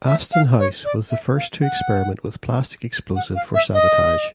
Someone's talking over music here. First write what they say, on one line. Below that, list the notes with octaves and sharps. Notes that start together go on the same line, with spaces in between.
Aston House was the first to experiment with plastic explosive for sabotage.
E5
F5
C#5
D5
E5
F5
F#5
F#5
F5
E5
D#5